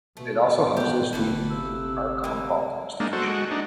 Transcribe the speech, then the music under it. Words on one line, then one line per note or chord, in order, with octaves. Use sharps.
It also houses the Archambault Institution.
B2 A3
B3 G4 F#5
G1 D3 A#3 A4 B4
C3 E6
E3 A#3
G#3 A#3 D4 D#4
F#4 A4 C5
G#3 F#4
D4 D#4